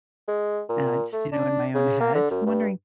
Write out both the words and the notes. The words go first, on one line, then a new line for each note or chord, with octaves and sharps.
and I just, you know, in my own head. So, I'm wondering,
G#3
A#2
A3
D4
C#3
A#3
D3
F#2
G2